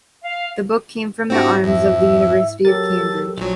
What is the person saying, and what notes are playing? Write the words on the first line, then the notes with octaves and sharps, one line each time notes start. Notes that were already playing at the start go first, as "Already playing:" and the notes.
The book came from the arms of the University of Cambridge.
F5
G#2 C4 D4 E4 F#4 G4 A#6
F2 E5
F#3 G4 A4 A#4 A6
A#1 F#3